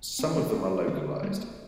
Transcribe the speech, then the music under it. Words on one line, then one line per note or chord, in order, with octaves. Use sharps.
Some of them are localized.
D2 D3 C4
D4
A3 C4
A3 C4
D2 D3 A3 C4
G3 A#3